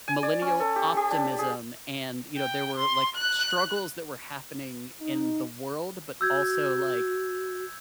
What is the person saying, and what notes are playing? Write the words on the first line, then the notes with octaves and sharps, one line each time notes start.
millennial optimism, and, you know, there were, like, struggles that were happening in the world, but also, like,
G#5
D5
C#4
A4
G4
G4
D4
G#4
G5
C6
F#6
D#4
F#4 E6 G6 G#6